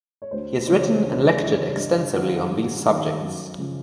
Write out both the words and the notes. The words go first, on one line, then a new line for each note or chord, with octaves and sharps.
He has written and lectured extensively on these subjects.
C#5
D2 C5
C#3 E3 G3 C5
C#5
C5
D2 C#5
D5
C#3 E3 G3 C5
C#5
D5
G2 D#5
D#3 G3 F#5
F5
F#5
G2 F#5
D#3 G3 F5
F#2
C#3 F3